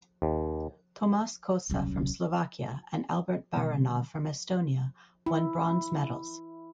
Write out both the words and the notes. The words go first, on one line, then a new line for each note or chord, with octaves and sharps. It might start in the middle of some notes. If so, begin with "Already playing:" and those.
Tomas Kosa from Slovakia and Albert Baranov from Estonia won bronze medals.
D#2
D#1 C2 F#3 C#4
B2 D3 D#3 G3
E4